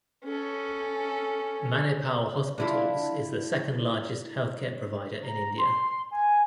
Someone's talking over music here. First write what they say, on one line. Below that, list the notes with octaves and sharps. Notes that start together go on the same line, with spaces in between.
Manipal Hospitals is the second largest healthcare provider in India.
C#4 A4
D4 E4 F4
A#5
C6
G#5